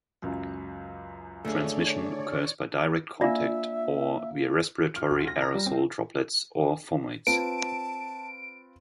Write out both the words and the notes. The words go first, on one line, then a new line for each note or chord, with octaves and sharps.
Transmission occurs by direct contact, or via respiratory aerosol droplets, or fomites.
C#2 F#2
D3 A3 G#4 C#5 D5
A#3 D4 F4 D5 E5
F6
D2
A#6
A#5
G3
C4
C4 F4 B4 A5 D7